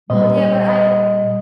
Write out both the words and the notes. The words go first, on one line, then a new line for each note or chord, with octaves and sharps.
Well, yeah, but I
A#2 G3 D#5
D#5